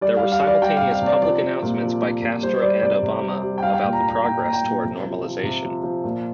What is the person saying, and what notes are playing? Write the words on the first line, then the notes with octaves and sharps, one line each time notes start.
There were simultaneous public announcements by Castro and Obama about the progress toward normalization.
G3 D5
F5
G3
F5
G3
D5
G3 G5
C3 F5
F5
C3
D5
F3 D5
F3
A#2
F3
F3
A#2
G3 C5
G3 D5
C3 D5
C3
G3
G3
G5
G3 F5
G5
A#2 F5
A#5
A#2
A#5
A#2 G5
A#2 A#5
G5
A#2
C3
F3
F3
C3
F3
F3
A#2